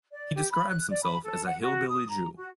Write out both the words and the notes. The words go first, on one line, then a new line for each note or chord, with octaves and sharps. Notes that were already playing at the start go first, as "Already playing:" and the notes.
He describes himself as a "hillbilly Jew".
D5
G4
B5
F#6
D5
B5
A4
F#5
F#4
D#6
A#5
F#4